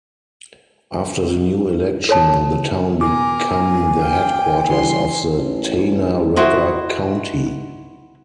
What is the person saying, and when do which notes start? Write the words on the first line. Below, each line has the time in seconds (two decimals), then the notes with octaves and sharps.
After the new election, the town become the headquarters of the Tana River County.
2.09 A4 C#5 A5
3.01 B2 A#4 G#5 D6
4.02 F5 G5
4.70 E3 G3 B4 C6
5.38 A1
6.36 E4 F#4 C5 D#5